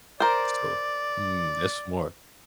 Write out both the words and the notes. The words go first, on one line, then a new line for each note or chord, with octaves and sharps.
So, mm, that's smart.
A#4 C5 D5